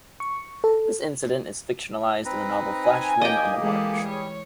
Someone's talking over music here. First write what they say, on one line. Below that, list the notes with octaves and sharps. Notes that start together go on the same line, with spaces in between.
This incident is fictionalized in the novel "Flashman on the March".
C#6
A4
C4 D#4 B4 A#5
G#5
A#3 G4 D#5 G5
E3 G#3 G#4 A4
G3 C#5